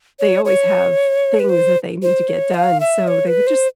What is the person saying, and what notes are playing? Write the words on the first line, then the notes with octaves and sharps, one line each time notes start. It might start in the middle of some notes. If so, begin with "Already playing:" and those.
they always have things that they need to get done- so they would just
C#5
C#5
B4
C5
C5
C#5
F5
E5
C#5
B4
C5